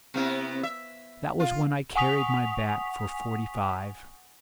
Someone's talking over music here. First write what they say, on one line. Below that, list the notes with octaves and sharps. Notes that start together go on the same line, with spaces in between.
That was when I carried my bat for forty-five.
C3 B3 E4
E5
F4
F#5 G#5 C#6 D#6 B6 F7